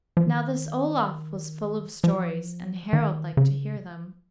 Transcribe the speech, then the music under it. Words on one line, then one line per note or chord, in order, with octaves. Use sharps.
Now this Olaf was full of stories, and Harald liked to hear them.
F3
D#3
F3
D#3
C#3